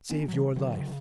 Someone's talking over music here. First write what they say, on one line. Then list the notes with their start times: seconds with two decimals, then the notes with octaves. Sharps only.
Save your life!
0.11 B3 D4
0.28 F#3
0.33 E3 G3
0.56 D3 F#3
0.78 C#3